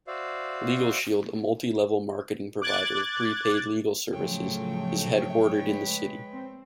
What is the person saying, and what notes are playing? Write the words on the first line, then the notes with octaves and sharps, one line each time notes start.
LegalShield, a multi-level marketing provider of pre-paid legal services, is headquartered in the city.
F#4 C5 D5 E5 F5
D6 F#6 G#6 A6
A2 C#3 F3 F#3 A3 C#5 G5
G#3 B4
C4